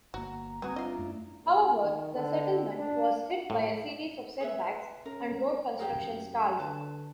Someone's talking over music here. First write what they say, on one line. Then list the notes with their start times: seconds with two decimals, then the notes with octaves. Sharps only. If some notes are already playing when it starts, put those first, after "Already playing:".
However, the settlement was hit by a series of setbacks and road construction stalled.
0.14 G1 A#3 F#4 A#5
0.62 G3 A3 B3 C4 F#4 G#5 D#6
0.76 D4 E4 F4 D#5 F5
0.98 F#2 A3 C#4
1.45 A#2
1.81 D#3
2.15 D3
2.78 D4
3.50 A2
4.41 G#4 B4 E5
5.06 C#4 A#4
5.79 F#2 G4 G#4 A#4
6.59 D3 B4 A5